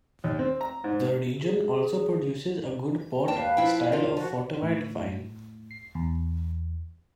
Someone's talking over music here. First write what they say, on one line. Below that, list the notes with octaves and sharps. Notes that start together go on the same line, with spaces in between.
The region also produces a good Port style of fortified wine.
D#2
C4
A#5
G#2
G#4
D#2 B4 F5 G5 A5
F3 E4 G5
F4 A#4
F3 F#4
A2
C7
E2